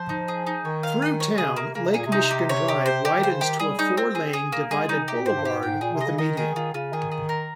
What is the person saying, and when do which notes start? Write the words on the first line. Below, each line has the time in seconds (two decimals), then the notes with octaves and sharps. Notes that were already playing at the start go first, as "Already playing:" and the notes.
Through town, Lake Michigan Drive widens to a four-lane divided boulevard with a median.
Already playing: F3 C5
0.09 D#4
0.28 G#4
0.47 D#4
0.65 D#3 C#5
0.83 F5
1.02 G#5
1.20 C#5
1.38 C#3 G#4
1.57 C3 A#3
1.75 C#3 A#3
1.86 C3
1.94 A#2 G#4
2.06 C3
2.12 D#4
2.31 G4
2.49 C#5
2.68 G4
2.86 C5
3.05 G4
3.18 D#3
3.23 C#3 C5
3.41 D#3 G4
3.60 G3 G#4
3.78 G3 D#4
3.97 C4
4.15 G#4
4.33 G#4
4.52 A#3
4.70 G3 G#4
4.81 G#3
4.89 G3 D#4
4.98 D#3
5.08 C3 G4
5.17 A#2
5.26 G#2 C5
5.36 G2
5.44 G#2 G4
5.63 G#2 G5
5.81 A#2 G#4
5.93 C3
6.01 D#5
6.06 C#3
6.18 D#3 D#5
6.37 D#3 G#4
6.55 D#3 F4
6.74 C#3 F4
6.93 D#3 G#4
7.12 G#4
7.29 A#4